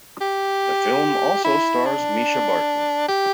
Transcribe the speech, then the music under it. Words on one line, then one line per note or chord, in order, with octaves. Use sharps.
The film also stars Mischa Barton.
G4
E4
D4
G4